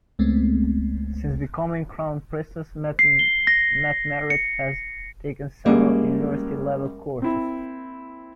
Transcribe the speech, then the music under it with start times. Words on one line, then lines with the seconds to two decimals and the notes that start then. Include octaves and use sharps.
Since becoming Crown Princess, Mette-Marit has taken several university level courses.
0.19 C#2 G#3 A3 B3 C4
2.99 C7
3.19 G7
3.47 A#6
4.30 C#7
5.66 F#2 G3 G#3 A#3
7.22 C4 E4